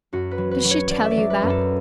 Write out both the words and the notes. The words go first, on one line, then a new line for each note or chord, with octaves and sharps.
"Did she tell you that?"
F#2 F#4
B4
F#3
B4
F#3
C#5
F#3 D5
E5
D5
F#3
B4
F#2
A4